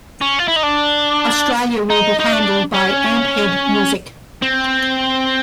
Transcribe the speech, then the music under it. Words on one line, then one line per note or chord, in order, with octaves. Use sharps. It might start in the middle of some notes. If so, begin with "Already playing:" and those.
Australia will be handled by AmpHead Music.
C#4
F4
E4
D#4
D4
D#4
D#4
D4
C#4
C4